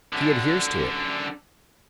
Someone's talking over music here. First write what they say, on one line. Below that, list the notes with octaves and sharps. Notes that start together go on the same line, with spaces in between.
He adheres to it.
F#2 D3